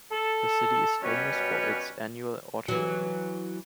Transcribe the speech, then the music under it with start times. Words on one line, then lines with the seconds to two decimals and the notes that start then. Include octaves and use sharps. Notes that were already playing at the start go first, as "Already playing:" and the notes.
The city is famous for its annual autorally.
0.11 A4
1.03 F#2 B2 G3 C#4 B4 C#5
2.68 E3 F#3